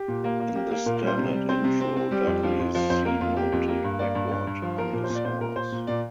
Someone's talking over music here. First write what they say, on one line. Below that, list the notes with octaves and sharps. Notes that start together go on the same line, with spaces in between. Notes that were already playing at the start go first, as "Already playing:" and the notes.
In the standard intro, Dudley is seen mounted backward on his horse.
Already playing: G4
A#2
A#3
A#3
A#3 G4
A#3
A#2 A#4
F5
G3 C5
C3
G3
C4 C5
C3
C4
C4
G3 G4
F2
F3
F2
F3
F2 C5
A#3 A#4
F2 F4
A#3 G4
F2
A#3
G2
A#3 D5
G2
G2
G2
F3
F3 A#4
A#2 A#4
C5
A#2
D5
A#2 C5
A#2 A#4
A#2 C5
A#2
A#2 D5